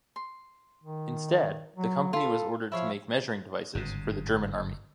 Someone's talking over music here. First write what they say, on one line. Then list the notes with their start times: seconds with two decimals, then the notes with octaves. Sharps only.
Instead, the company was ordered to make measuring devices for the German Army.
0.16 C6
0.83 D#3
1.76 F#3
2.13 F4 A4 B5
2.72 F3 E4 C#5 F5
3.75 G1 G#2 C#3